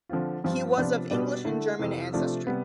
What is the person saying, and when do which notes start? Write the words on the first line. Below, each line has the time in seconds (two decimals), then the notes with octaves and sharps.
He was of English and German ancestry.
0.09 D3 F3 C4 F4
0.44 G2 F3 C4 F4
0.78 C3 F3 B3 D4 F4
1.11 B2 G3 B3 D4
1.45 D3 A3 E4
1.79 F2 C3 E3
2.13 C3 F3 A3 D4 F4
2.47 C3 G3 B3